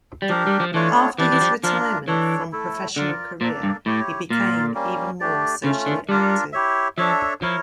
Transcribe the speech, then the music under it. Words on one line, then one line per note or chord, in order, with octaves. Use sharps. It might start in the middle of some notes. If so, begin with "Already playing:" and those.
After his retirement from professional career, he became even more socially active.
G3
F3 D4 G4 A#4
G3
F3
E3 A3 D4 F4 C#5
E3 G3 D4 G4 D5
E3
F3
F3 D4 F4 A#4
E3 D4 A4 C#5
A3 E4 A4
D3 F4 A#4 D5
A#2 A#3 D4 A4 D5
G2
A2 E4 G4 C#5
A#2 F4 A#4 D5 F5
G3 A#3 C#4
A3 D4 G4 D5
C#3 A3 C#4 F4
D3
G3 D4 F4 A#4
E4 G4 C#5 E5
F3 D4 A4 C#5 E5
F3 E4 A#4 C#5